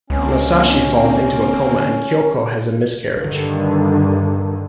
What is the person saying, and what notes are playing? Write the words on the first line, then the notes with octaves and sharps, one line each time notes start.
Masashi falls into a coma and Kyoko has a miscarriage.
C#2 D3 A#3 C4 C#4
G2 D3 D#3